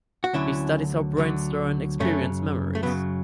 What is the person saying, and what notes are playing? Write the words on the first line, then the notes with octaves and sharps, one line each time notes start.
He studies how brains store and experience memories.
F#4
D2 D3 F#3 C#4 E4
D2 D3 F#3
F#2 C#3 F#3 A3 C#4
A3
F#2 C#3 F#3 B3